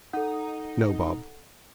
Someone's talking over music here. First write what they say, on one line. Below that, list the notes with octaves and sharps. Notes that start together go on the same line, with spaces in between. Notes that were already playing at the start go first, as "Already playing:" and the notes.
No Bob.
D#4 A4 F#5